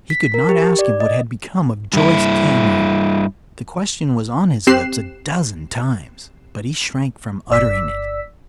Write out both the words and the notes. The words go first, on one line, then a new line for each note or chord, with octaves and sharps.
He could not ask him what had become of Joyce Cameron. The question was on his lips a dozen times, but he shrank from uttering it.
B6
A#4
G4
D5
D#5
G2 E4
C4 G4 F#6 C7 E7
G1 D5 E6 B6